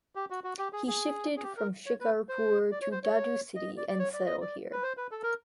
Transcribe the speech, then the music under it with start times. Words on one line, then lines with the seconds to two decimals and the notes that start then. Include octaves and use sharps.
He shifted from Shikarpur to Dadu city and settled here.
0.15 G4
0.30 F#4
0.44 F#4
0.59 G4
0.73 G#4
0.87 G#4
1.37 G#4
1.43 G4
1.57 A#4
1.86 C#5
2.00 B4
2.29 C5
2.71 D5
2.81 C#5
2.92 C5
3.04 C#5
3.56 D#5
3.77 D5
3.89 D5
3.99 C#5
4.13 D5
4.26 D#5
4.41 D5
4.72 B4
4.83 C5
4.97 B4
5.11 A4
5.23 A#4